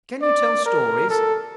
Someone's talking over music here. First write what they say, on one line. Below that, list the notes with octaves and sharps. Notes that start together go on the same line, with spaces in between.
'Can you tell stories?
D5
A#4
A4